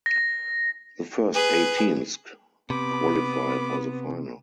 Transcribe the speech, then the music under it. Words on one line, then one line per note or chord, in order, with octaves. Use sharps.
The first eight teams qualify for the final.
A#6
G#4 B4
C3 B3 B5 D6